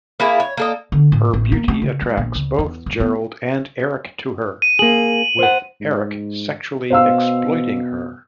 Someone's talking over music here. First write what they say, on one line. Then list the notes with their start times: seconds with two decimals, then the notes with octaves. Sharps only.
Her beauty attracts both Gerald and Eric to her, with Eric sexually exploiting her.
0.20 A#3 E4 F4 G#4
0.40 C#5
0.57 A#3 A4 D#5
0.92 D3
1.12 A2
1.34 A1
1.52 A#3
1.68 A3
1.82 C#3
2.02 G#3
2.17 A#1
2.35 C#2
2.59 E2
2.86 G#2
3.00 B3
4.62 D#7
4.79 A#3 G#4 F#7
5.39 C5 F#5
5.81 G#2
6.90 B2 C5 F5 E6